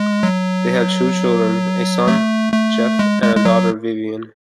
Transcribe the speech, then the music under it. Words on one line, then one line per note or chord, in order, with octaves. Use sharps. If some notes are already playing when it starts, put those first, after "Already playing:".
They had two children, a son, Jeff, and a daughter, Vivien.
Already playing: G#3
F#3
A3
A3
G#3
G#3
G#3
F#3